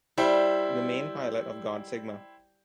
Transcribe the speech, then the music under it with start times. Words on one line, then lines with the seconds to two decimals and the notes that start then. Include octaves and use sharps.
The main pilot of God Sigma.
0.18 G3 E4 C5 G5